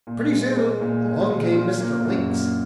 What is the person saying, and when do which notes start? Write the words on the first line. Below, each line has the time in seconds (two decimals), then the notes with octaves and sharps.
Pretty soon along came Mr. Lynx.
0.07 A#2
0.32 G#3
0.56 G#3
0.81 A#2
1.05 G#3
1.30 A#2
1.56 F4
1.80 A#3
2.05 F#2
2.30 A#3